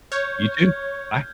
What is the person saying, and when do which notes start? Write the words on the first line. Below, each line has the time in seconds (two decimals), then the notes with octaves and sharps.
you too, bye.
0.12 C#5 F6 G6 G#6